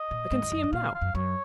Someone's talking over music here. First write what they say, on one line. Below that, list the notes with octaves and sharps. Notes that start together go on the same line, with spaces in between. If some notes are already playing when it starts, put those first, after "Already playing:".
I can see him now.
Already playing: D#5
A#2
G#2
F2
F#2
G#2
A#2 F5
F5
F#2
F#2 C#5